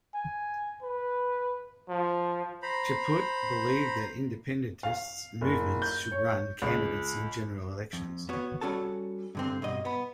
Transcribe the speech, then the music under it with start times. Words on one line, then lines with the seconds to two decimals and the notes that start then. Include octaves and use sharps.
Chaput believed that independentist movement should run candidates in general elections.
0.14 G#5
0.83 B4
1.89 F3
2.62 C5 A#5 B5
4.83 F5
5.41 F#1
5.82 G6
6.12 C#5
6.62 C#2
7.93 F2
8.29 B3 F#4 C#5
8.61 G3 C#4 F#4 A4 A5
9.35 G2 D3 C4
9.62 G2 B2 D#5
9.85 B3 B5